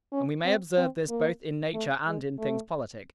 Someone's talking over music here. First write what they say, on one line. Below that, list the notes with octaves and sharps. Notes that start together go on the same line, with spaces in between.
And we may observe this both in nature and in things politic.
C#4
C4
C4
A#3
A3
G#3
A3